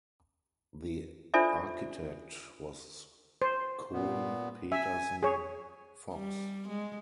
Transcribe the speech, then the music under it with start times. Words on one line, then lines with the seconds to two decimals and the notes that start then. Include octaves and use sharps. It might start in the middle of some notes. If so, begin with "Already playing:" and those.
The architect was Kohn Pedersen Fox.
1.34 D4 F4 A4 C5 D5 E5
3.42 C5
3.93 A#2 B3
4.72 E5 G#5
5.23 G#4 C#5
6.14 G3
6.68 G#3